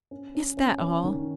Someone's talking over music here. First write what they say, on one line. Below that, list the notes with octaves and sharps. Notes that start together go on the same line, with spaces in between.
"Is that all!"
C#4
C#4
C#4
C#4
D#3